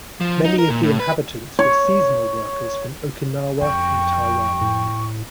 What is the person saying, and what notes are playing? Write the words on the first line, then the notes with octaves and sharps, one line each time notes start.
Many of the inhabitants were seasonal workers from Okinawa and Taiwan.
F3
D#4
A#4
A#2
A2
B4
C#5
F2 G5 C#6
A2